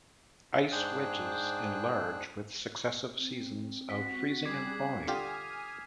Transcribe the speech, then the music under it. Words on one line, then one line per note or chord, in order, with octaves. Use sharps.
Ice wedges enlarge with successive seasons of freezing and thawing.
G#2 D4 G#4 C5 G5 F#6
C4
F#4 B6
G3 G#4 D6 F#6 G#6 C7
D3 F4 G4 G#5 D#6 F6